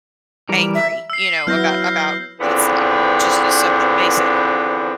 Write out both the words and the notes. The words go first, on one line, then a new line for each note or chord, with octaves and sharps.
angry, you know, about about let's, I don't know, just just something basic.
E3 G3 A#4
E5
E6 C7
F#3 B3 E4 F6 G6 A#6
E2 D3 F3 B3 C4